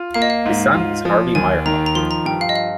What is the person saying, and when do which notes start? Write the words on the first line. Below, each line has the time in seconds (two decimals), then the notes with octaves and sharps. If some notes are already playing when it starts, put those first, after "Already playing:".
His son is Harvey Meyerhoff.
Already playing: F4
0.14 A#3 F5
0.22 D#5
0.30 F5
0.45 G#2
0.74 F4
1.05 F3
1.35 D#2 G#5
1.66 D#3 A#5
1.86 A#5
1.95 F3 C6
2.11 A#5
2.26 G2 G5
2.41 F5
2.49 D#5
2.56 F5